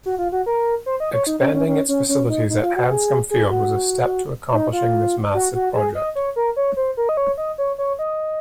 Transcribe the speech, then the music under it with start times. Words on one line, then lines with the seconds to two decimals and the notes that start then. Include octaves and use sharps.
Expanding its facilities at Hanscom Field was a step to accomplishing this massive project.
0.06 F#4
0.18 F4
0.32 F#4
0.46 A#4
0.86 C5
1.00 D#5
1.14 C#5
1.27 D#4
1.41 C#4
1.55 C#4
1.68 C#4
1.89 C#4
2.09 C#4
2.29 D#4
2.50 D#4
2.63 F4
2.76 F#4
2.90 G#4
3.31 G#4
3.51 F#4
4.53 D#4
4.73 F4
5.34 F#4
5.55 F#4
5.75 G#4
5.95 D#5
6.16 C#5
6.36 A#4
6.56 C#5
6.77 C5
6.97 A#4
7.09 D#5
7.17 C#5
7.38 D#5
7.58 C#5
7.78 C#5
7.99 D#5